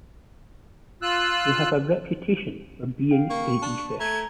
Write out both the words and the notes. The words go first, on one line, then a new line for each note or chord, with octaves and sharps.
They have a reputation for being greedy fish.
F4 E6 F#6
F5 G5
A#3 C#6
D4 A5
A3 A#5 G#6